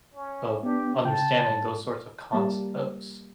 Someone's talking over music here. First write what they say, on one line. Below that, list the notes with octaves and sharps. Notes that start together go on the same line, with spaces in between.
of understanding those sorts of concepts.
C#4
B3 D4 G4
C#3 G5 A5
G#2
G3 A#3 A5